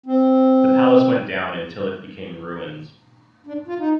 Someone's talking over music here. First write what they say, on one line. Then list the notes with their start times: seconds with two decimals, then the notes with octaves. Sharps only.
The palace went down until it became ruins.
0.06 C4
3.47 D4
3.68 F4
3.79 D#4